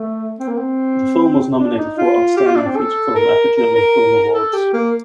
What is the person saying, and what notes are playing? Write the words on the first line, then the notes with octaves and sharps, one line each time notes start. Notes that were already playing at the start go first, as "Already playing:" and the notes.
The film was nominated for Outstanding Feature Film at the German Film Awards.
Already playing: A3
C4
A#3
C4
D4
D#4
F4
G4
F4
D4
C4
A4
A#4
A#4
A#4
A4
G4
A#3